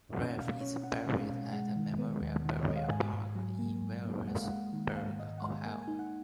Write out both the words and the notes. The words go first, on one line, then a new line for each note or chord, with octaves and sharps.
Riffe is buried at Memorial Burial Park in Wheelersburg, Ohio.
C#4 F#5
B2 F5
C#4 C#5
C#4 F#5
G#3
B2
G#3 F#5
D#3
B3
D#2
D#3
C#5
G#3 D#5
F5
F#5
G#2 G#5
G#2
F#3
A#3
G#2
A#3
G#3 F#5
F5
F#5
G#3
D#3
G#2 F5
G#2 D#5
F#5
G#3 F5
A#3 G#5
D#4 G#5
F#5